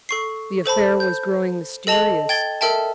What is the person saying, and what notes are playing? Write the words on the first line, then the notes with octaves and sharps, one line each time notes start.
The affair was growing mysterious.
A4 C#6 C7
A4 C5 A5 B5
G6
A4 D#5 A5 F7 F#7
G5 G#6 A6 G7
A4 A#4 E5 G5 A5